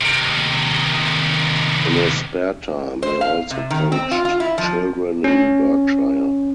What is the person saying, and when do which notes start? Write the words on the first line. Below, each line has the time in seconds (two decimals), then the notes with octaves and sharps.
In his spare time, he also coached children in Berkshire.
0.01 C3 D#3
3.03 C5
3.21 F5
3.51 C3
3.70 D#3
3.92 C4
4.11 F4
4.25 F4
4.40 E4
4.58 F3
5.24 C#4